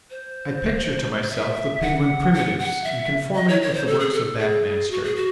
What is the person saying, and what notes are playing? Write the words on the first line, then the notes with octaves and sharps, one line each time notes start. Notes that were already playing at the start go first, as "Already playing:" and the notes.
I picture to myself the Penguin primitives in conformity with the works of that master.
C5
E5
F#5
F#5
F#5
E5
D#5
C#5
C#5
C5
A4
G#4
A4
G#4
F#4
G#4
F#4